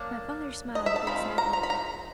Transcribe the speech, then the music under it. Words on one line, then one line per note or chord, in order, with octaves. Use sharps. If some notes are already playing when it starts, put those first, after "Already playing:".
My father smiled a bit sadly.
Already playing: F#3 A#3 D4
D#5
E5
A5
G#3 C4 F4 B5
A#5
A#5
B5
A#5